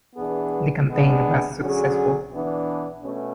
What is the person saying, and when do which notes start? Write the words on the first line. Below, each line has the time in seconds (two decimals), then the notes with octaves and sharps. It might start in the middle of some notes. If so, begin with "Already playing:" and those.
The campaign was successful.
0.16 E3 B3 D4 G#4
0.89 G#3 B3 D4 G#4
1.60 D3 F#3 C#4 G#4
2.31 E3 B3 D4
3.03 B2 A3 C#4